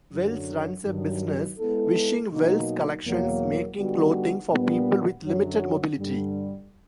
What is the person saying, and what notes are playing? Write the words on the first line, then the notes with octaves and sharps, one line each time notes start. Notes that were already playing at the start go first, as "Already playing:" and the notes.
Wells runs a business, Wishing Wells Collections, making clothing for people with limited mobility.
F#2 D3 F#3
G2 D#3 F#3
G#3 B3 E4 A4
B2 F#3 A#3 D#4
E2 B2 F#3 A#3
D3 G3 B3 D#4 F#4
A#2 G3 B3 D4
F#2 D3 F#3
G2 D3 G3